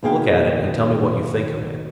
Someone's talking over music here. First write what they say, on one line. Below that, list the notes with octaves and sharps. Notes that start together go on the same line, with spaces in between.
"Look at it, and tell me what you think of it."
D#2 B2 A#3 G#4 F5 G5